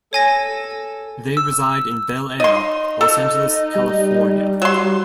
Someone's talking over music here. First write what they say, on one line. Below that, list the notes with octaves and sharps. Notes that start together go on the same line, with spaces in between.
They reside in Bel Air, Los Angeles, California.
A4 C#5 G#5 A#6
E6
D#4 D#5 C6
A4
G3
F#3 C6